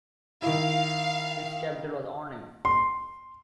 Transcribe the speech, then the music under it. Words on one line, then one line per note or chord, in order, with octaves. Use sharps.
Its capital was Arnhem.
D#3 E4 F5
C6